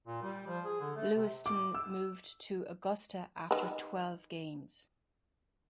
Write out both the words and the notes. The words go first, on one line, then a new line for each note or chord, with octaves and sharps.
Lewiston moved to Augusta after twelve games.
A#2
G3
F3
G#4
D3
A3
C3
D6
E6
D#3 B4